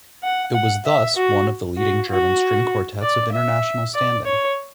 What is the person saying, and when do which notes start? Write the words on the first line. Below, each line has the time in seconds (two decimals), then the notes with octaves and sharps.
It was thus one of the leading German string quartets of international standing.
0.23 F#5
0.54 F#5
0.86 E5
1.16 F#4
1.78 F#4
2.10 F#4
3.02 D5
3.32 E5
3.95 D5
4.25 C#5